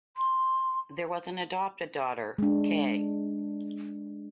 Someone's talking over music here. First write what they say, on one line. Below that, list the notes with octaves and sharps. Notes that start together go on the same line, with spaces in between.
There was an adopted daughter, Kaye.
C6
G#3 D4